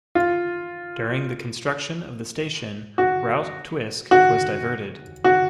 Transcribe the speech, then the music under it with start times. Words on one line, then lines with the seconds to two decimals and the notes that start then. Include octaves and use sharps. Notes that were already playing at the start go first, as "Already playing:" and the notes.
During the construction of the station, Route Twisk was diverted.
0.15 F4
2.98 F#4
4.11 F#4
5.24 F#4